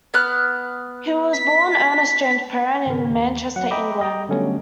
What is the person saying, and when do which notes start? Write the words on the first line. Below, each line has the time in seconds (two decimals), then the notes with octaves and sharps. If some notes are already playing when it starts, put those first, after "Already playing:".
He was born "Ernest James Perrin " in Manchester, England.
0.14 B3 F6 F#6
1.33 B6
2.86 G#1 C#3 A#4
3.10 D#2
3.56 F#3 F#5
3.71 D#5 E5 G5 A#5 B5 D6
4.01 D#5 G5 A#5
4.29 D3 F#3 G3 A3 B3 C#4